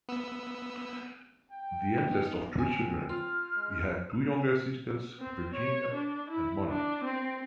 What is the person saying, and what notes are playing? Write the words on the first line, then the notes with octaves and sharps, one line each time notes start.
The eldest of three children, he had two younger sisters-Virginia and Mona.
B3 E6
G5
B3 C#4 D#4
D#2 C4 G#5
F4 F6
G#3
C4
C#5
D4
E4
D4
C4